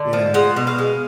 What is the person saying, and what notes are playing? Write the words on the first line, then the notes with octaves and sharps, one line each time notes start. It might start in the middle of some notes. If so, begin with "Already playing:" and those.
you know
Already playing: D3
F3
G#3 F#5
B2
F5
G#3